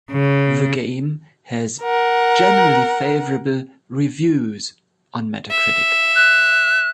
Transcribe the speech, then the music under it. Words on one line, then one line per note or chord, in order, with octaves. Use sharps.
The game has "Generally favorable reviews" on Metacritic.
C#3
A#4 F#5
E5
F#6